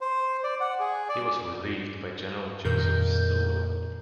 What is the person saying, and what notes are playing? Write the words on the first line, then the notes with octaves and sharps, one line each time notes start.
He was relieved by General Joseph Stilwell.
C5
D5
F#5
G#4
D5
F2 A#2 D#3 A#4 G6